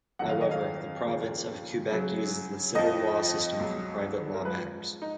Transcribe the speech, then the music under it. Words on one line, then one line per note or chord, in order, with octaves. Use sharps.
However, the province of Quebec uses the civil law system for private law matters.
F2 D#3 F#3 F#5
F5
D#5
F5
D#2 C#3 F3
F#2 C#3 F#3
F2 F3 D#5
C#2 B2 F#3
A#4
G#2 F3 B4
D#4